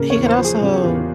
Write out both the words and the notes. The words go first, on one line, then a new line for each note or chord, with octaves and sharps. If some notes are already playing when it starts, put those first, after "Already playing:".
he could also
Already playing: C#3 A#3 A#4
C#5
E2
C5
F3
G#4
C#3 F4
G4
E2 F4